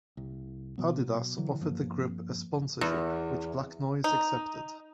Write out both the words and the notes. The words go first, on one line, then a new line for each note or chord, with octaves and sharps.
Adidas offered the group a Sponsorship, which Black Noise accepted.
C2
B2 F#3 B3
D3 E3 F#3
G2 F3 A#3
E2
D#4